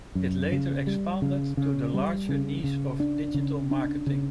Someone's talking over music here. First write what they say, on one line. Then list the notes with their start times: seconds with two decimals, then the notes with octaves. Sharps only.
It later expanded to the larger niche of digital marketing.
0.15 F#2
0.52 C#3
0.87 G3
1.22 C#3
1.57 C#3
1.94 G3
2.29 C#3
2.64 C#3
3.00 D4
3.34 C#3
3.71 D4
4.07 C#3